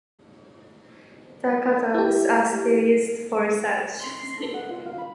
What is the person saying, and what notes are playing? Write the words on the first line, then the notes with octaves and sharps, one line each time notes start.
The catalogs are still used for research.
E4 G4
C6
C7
A4
F#5
F4
F5
B5